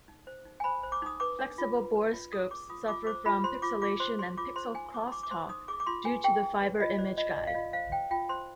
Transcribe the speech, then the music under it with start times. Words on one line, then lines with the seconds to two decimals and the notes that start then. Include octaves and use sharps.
Flexible borescopes suffer from pixelation and pixel crosstalk due to the fiber image guide.
0.08 D#4
0.27 C5
0.45 D#4
0.60 G#5
0.64 C5 B5
0.83 C5
0.92 D6
1.02 D#4 D#6
1.20 B4 D6
1.39 D4
1.58 F4
1.77 B4
1.95 B4
2.13 F4
2.32 F4 D#6
2.51 G#4 D6
2.69 F4 D#6
2.88 F4 D6
3.07 C5 D6
3.26 F4 B5
3.44 C5 C6
3.62 F4 D6
3.82 F4 D6
4.00 C5 C6
4.19 G#4 C6
4.37 F4 D6
4.56 C5 C6
4.74 D#4 G#5
4.93 C5 D6
5.08 C6
5.12 D#4 D6
5.23 D6
5.31 C5 C6
5.49 D#4 D#6
5.68 G#4 D6
5.80 D6
5.86 F4 C6
6.05 B4 G#5
6.24 G#4 G5
6.43 G#4
6.61 B4
6.80 F4 D#5
6.98 C5 D5
7.17 F4 D#5
7.31 D5
7.36 C5 D#5
7.47 F5
7.54 F4 D#5
7.73 C5 F5
7.92 C5 G5
8.11 F4 G5
8.29 C5 C6